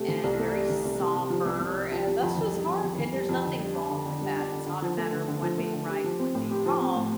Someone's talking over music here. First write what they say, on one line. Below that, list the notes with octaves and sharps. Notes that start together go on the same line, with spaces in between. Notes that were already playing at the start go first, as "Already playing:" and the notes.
and very somber, and that's just hard and there's nothing wrong with that, it's not a matter of one being right and one being wrong,
Already playing: C3 A3
E3
C2
A3
C3
E3
C2
C2
C3
F3
C2
C2
C3
F3
C2
F2
E3
G3
F2
F2
E3
G3
F2
D3
G3
D4
D3
D3
G3
D4
D3
D3
F3
A3
D3
D3
F3
A3
D3
G4
F3
C4
A2
G4
F3
C4
A2